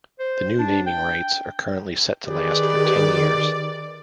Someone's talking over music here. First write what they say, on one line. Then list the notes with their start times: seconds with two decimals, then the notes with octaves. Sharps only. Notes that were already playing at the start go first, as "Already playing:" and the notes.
The new naming rights are currently set to last for ten years.
0.19 C5
0.59 D4
0.86 G5
2.28 D#3 G4 G#4 B4 D5